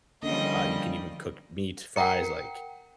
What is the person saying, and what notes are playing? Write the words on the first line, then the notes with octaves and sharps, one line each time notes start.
uh, you can even cook meat, fries, like
D3 D#3 F3 G3 A#3 C#4 D#5
A#4 F#5 G5 A#5 C#7